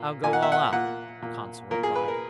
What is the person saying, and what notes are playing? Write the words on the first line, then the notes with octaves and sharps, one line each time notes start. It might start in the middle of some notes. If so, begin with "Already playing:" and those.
"I'll go all out," Conseil replied.
Already playing: A#2
A#2 G#5
F#5
E5
F#5
A#2 F#5
A#2
A#2 A#4
G#4
B4
A#4